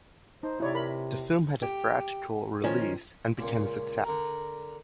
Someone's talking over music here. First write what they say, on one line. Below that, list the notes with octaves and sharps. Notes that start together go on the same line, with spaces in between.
The film had a theatrical release and became a success.
D#4 C5
C3 E4 C#5 D5
A#4 B5
G4
D#3 F3 C#4
C#2 A#2
D3 A#4 A#5